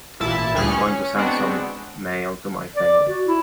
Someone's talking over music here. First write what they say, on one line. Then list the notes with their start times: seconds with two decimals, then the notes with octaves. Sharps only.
I am going to send some mail to my family.
0.20 A1 A#2 E4 A5
0.54 D2 A#2 G3 G#4 F6 F#6
0.70 C#4
1.16 G#3 B3 C4 D4 F#4
2.76 D5
3.07 F#4
3.26 E4